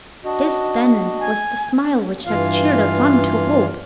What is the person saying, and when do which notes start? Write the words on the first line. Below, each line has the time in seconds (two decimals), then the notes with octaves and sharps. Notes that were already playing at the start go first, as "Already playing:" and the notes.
This, then, was the smile which had cheered us on to hope!
0.25 D4 F#4 D#5
1.20 G#5
2.26 G2 E3 F4 F5